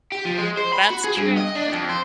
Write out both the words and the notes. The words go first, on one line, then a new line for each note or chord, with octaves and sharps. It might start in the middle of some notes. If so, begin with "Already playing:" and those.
That's true. That's true.
G4
F3
G#3
C5
B5
F#4
G#4
G2
D#5
D4
F2
C5